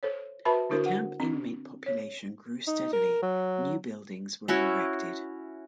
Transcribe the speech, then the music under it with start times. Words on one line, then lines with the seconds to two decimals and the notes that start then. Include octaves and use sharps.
The camp inmate population grew steadily, new buildings were erected.
0.03 A4 C5 C#5
0.45 F#4 B4 C5 E5 A5 B5
0.69 D3 D4 E4 F#4 A#4 C5
0.86 F#5
1.20 C4 D4
1.86 C#5
2.68 D#4
2.93 A#4
3.22 F#3
4.48 C#4 E4 F#4